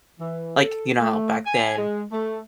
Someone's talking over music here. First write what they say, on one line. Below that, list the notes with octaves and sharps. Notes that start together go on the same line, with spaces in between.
like, you know how back then
E3
A4
A3
G#5
G#3
A3